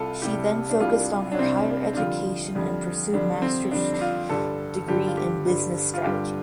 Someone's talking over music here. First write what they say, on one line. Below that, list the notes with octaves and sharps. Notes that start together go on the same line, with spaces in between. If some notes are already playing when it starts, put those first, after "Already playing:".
She then focused on her higher education and pursued masters degree in business strategy.
Already playing: C2 C3 G3 F4 A4
C2 C3 G3 G4
D4
C2 C3 G3 F4
D4
C2 C3 G3 C4
D4
F2 D3 G3 F4
F2 D3 G3
F2 D3 G3 D4
C4
F2 D3 G3 D4
D4
F4
G2 D3 G3 A4
G2 D3 G3 G4
F4
G4
G2 D3 G3
F4
G2 D3 G3 G4